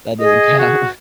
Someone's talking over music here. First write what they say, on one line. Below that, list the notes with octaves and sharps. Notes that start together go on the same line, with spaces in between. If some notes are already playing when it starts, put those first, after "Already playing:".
that doesn't count.
G#4 D#5
F#4